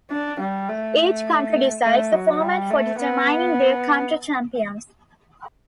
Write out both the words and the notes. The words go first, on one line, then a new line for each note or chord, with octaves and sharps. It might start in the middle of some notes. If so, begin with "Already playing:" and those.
Each county decides the format for determining their county champions.
D4
G3
A3
A3
F#3
G3
A3
B3